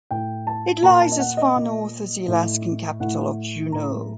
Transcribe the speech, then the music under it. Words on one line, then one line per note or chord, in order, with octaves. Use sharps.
It lies as far north as the Alaskan capital of Juneau.
A2 G5
A5
A#2 A#5
A5
D#5
F#5
D#5
A#2
A2
A2 F#5
A2 A#5